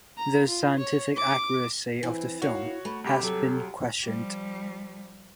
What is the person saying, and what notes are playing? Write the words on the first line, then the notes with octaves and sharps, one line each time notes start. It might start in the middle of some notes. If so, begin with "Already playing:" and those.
The scientific accuracy of the film has been questioned.
A#5
F4
C#5
D6
E3 C4 E4
D#2 D#3 F#4 C#5 F5
A3 B5
C2 G4 B5
F#3 A4
F3 G3